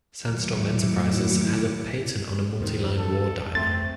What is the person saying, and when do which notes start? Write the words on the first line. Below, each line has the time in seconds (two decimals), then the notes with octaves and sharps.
Sandstorm Enterprises has a patent on a multi-line war dialer.
0.16 D#2 A2 F#3 E4 D6 C#7
2.60 E2 D#3 C4
2.98 A4
3.55 F2 A3 C4 C6 A6